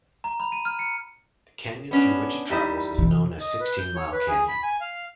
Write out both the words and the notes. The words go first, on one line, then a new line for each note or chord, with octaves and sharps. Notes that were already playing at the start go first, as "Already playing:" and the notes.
The canyon through which it travels is known as Sixteen Mile Canyon.
A#5
B5
D#7
F6
C#7
B3 C#4 D4
G3 D#4 E4
C3 E3
D#5
B4
G6
C#5
B4
G#4
B5
G#5
F5